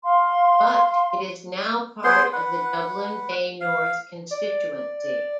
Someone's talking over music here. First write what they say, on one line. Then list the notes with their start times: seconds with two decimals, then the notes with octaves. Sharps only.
But it is now part of the Dublin Bay North constituency.
0.04 F5 C6
2.04 B3 G#4 C5 C6
2.33 B4 F#5
3.61 F5
4.31 D5